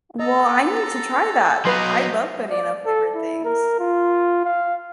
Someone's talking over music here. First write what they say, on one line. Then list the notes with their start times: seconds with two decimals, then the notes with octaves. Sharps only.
Well, I need to try that. I love banana flavored things.
0.19 A4 D#5 A#5
1.65 F#3 B3 G4 B4 D#5 F5 A#5 C6
2.51 D5
2.86 A4
3.15 E4
3.45 A#4
3.80 F4
4.45 F5